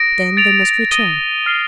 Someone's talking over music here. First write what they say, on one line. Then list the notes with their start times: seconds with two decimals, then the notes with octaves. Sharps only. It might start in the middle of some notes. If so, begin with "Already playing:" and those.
Then they must return.
Already playing: D#6 A#6 D7
0.37 A6 D7 F7
0.91 D#6 A#6 D#7 G7
1.46 F6 C7 G7